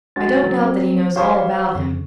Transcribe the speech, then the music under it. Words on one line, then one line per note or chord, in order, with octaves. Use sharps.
I don't doubt that he knows all about him.
G#3 C#4 F#4 A6
F#3
C4
G4 C5 C#5 F5 C#6
F2